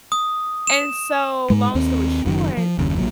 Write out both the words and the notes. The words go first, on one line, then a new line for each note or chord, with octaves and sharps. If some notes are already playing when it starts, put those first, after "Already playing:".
And so, long story short,
D#6
E7
G#2 G#3
D#2 C4
F#1 F#2 B2 D#3
F3
F#1 D#2 C#3
A#1 A#2 F#3